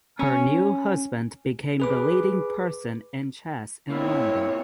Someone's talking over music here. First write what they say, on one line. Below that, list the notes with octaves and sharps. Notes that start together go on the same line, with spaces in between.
Her new husband became the leading person in chess in London.
C#4
G#4 B4 D6
B2 A#3 C4 E4 C#5